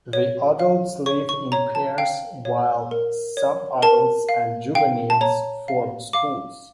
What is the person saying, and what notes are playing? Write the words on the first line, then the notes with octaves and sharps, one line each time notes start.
The adults live in pairs while subadults and juveniles form schools.
C#5
F5
C#5 C#6
C#6
C#5 A#5
A5
F5 G5
C#5
A#4
C#5
A#4 A5
F5
F5 G5
A5
C#5 A#5
F5
F5 D6